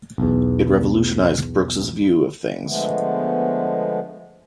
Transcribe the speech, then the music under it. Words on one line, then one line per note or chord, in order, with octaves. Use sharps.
It revolutionized Brooks's view of things.
B1 E2
D3 F3 G#3 A3 B3